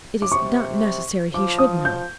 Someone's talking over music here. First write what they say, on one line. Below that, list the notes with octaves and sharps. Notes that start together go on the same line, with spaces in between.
It is not necessary he should know.
D6
C3 C#6
F3 D6
D#6
G6